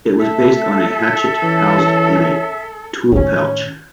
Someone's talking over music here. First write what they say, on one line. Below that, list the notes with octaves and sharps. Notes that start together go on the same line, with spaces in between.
It was based on a hatchet housed in a tool pouch.
A3 A4 E5
E3 C#4
A2 D#3 C#4